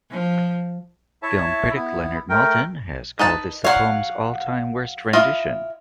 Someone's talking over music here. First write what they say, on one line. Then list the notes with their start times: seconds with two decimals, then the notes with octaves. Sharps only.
Film critic Leonard Maltin has called this the poem's all-time worst rendition.
0.11 F3
1.23 E4 C#5 E5 A5
1.75 B3 E4
2.29 A3 A#4 G5
3.19 D#4 B4 A5
3.64 F#3 C#5 F5 F#5
5.13 E4 F4 D#5